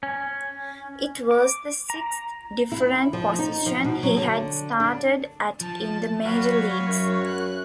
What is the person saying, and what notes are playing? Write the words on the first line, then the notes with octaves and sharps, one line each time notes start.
It was the sixth different position he had started at in the major leagues.
C#4
D6
A#5
E4
F3
D#4
F3
B2
F#3
D3
D4
F3 A5
F#3 F#4 B4 C#5 D5 F5
F#2
F#6